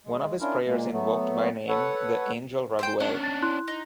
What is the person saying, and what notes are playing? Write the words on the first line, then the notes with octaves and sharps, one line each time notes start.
One of his prayers invoked by name the angel Raguel.
G#3
C#4 D4 E4 F4 A#4
A#2 G#3 A#3
F#3 A3 B3
A4 B4 C#5 F#5
C5 E5 G5
C#4 D4 F#5
A6
E4 C6 F#6
D#4